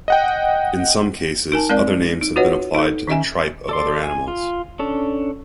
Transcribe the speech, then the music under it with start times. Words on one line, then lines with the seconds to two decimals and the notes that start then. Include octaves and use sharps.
In some cases, other names have been applied to the 'tripe' of other animals.
0.08 D#5 F#5 G5
1.52 D#4 A#4 G#5 A5
1.69 G#3 C4 A#4 D5 F5
2.21 D#4
2.36 F4 F#4 B4 C#5 D#5 F#5
2.75 D#4 A4
3.07 D#3 C#4 D#5 E5 G#5
3.69 A4 D5 C6
4.04 G#5
4.28 F4
4.79 C#4 D4 A4